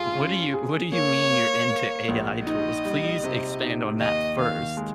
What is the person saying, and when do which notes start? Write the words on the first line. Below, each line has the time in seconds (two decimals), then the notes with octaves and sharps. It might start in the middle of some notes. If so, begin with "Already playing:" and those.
What do you what do you mean you’re into AI tools? Please expand on that first.
Already playing: G2 F4 G#4
0.16 C#4
0.54 G#4
0.92 A#3 C#5
1.31 A#3
1.70 A#3
2.08 A#1
2.47 D#4 D#5
2.85 G3
3.24 C3
3.62 D#4
4.00 D#2 D#5
4.38 D#3 F5
4.77 G#3